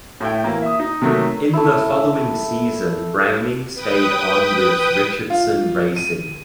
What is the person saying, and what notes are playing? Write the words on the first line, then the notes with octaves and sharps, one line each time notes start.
In the following season Browning stayed on with Richardson Racing.
A2 E4 G5
E3 A#3
E5 D#6
D#4
C3 D#3 F#3 A3
A3 E4
B4 G5 D#6
F4
D#7